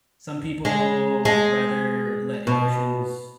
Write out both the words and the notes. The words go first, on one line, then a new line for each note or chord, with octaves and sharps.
Some people rather let emotions
G#3
G#3
B2